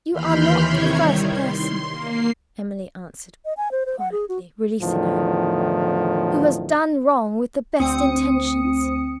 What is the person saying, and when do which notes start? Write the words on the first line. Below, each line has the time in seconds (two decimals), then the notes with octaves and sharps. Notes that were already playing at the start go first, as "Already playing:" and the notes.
"You are not the first person," Emily answered, quietly releasing her, "who has done wrong with the best intentions."
0.11 D#2 E3 B5 C6 F6 G6
0.66 C3 D#3 E4 C#5 G#6
0.97 D#3 G3
1.37 C6
1.90 A#3 C7
3.44 D#5
3.57 G#5
3.71 C5
3.86 C5
3.99 F#5
4.12 G#4
4.29 F#4
4.81 E2 A2 D3 D#3 F3
7.80 D2 C4 D#6 C#7